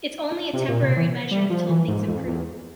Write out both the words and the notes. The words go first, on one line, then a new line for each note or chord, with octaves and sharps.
It's only a temporary measure until things improve.
C3
A#2
C3
E3
G3
F3
E3
G#2
F2
E2